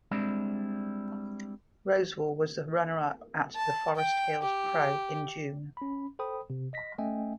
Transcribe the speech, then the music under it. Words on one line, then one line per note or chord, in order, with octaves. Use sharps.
Rosewall was the runner-up at the Forest Hills Pro in June.
G3 G#3 C4 D4 E4
A5
G5
G4
C#4 B5
A4 C5 G5 B5 D#6
C3
D#5 A#6 B6
A3 C#4 D#5 E5 G5 G#5